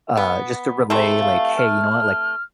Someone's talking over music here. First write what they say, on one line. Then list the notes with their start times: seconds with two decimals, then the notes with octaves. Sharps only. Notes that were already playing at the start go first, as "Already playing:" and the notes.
uh, just to relay, like, "Hey, you know what, like,
0.17 B3
0.90 C3 E3 A3
1.21 F5
1.58 F6